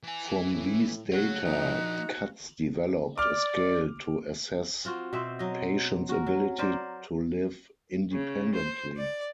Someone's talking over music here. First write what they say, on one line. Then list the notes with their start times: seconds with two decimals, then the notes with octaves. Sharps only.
From these data, Katz developed a scale to assess patients' ability to live independently.
0.03 E3 G#5
0.53 A2
1.12 C#3 F#4 C#5 F#5
1.45 F3 A#3 D#4
3.18 D5 D6 F6
4.85 C4 F4 F#4
5.13 B2 C4 C5 E5
5.39 F#3 D#5
6.09 F#4 A#4
6.27 F#3
6.58 A#4 C5 D5
8.13 C#3
8.55 C5
8.97 D5